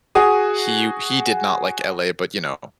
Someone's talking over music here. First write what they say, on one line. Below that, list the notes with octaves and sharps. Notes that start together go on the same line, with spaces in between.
he he did not like LA, but, you know
F#4 G#4 D#6